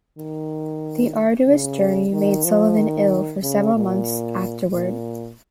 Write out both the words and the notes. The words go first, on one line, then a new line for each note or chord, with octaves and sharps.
The arduous journey made Sullivan ill for several months afterward.
D#3
C#3
D#3
F3
D#3
C#3
A#2
A#2